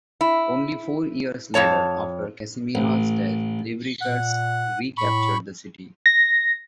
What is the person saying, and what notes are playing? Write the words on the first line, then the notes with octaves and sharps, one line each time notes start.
Only four years later, after Casimir's death, Liubartas recaptured the city.
E4
F2 G#3 C#5 A5
A1
A#2 F#5
A2 B5 C#6
A#6